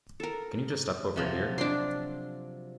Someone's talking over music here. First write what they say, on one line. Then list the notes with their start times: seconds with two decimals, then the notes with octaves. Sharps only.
Can you just step over here?
0.20 A4 A#4
1.16 C3 F3 F#3
1.58 D4 D5 D#5 C6